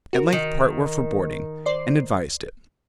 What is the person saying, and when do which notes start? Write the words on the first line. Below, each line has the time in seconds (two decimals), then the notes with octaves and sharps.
At length part were for boarding, and advised it.
0.13 F#4 A#4
0.33 D#3
1.66 C5 D5 C7